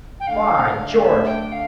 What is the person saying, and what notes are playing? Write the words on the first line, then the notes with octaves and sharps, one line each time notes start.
By George!
G5
D3 A3 D4 F5
E5
G5
F5